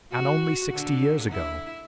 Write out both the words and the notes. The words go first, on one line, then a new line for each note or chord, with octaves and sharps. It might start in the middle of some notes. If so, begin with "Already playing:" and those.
And only sixty years ago!
F#4
D3
E4